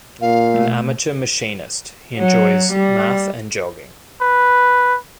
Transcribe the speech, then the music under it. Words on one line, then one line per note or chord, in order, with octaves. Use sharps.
An amateur machinist, he enjoys math and jogging.
A#2 F5
B2 A3
F#3
G3
B4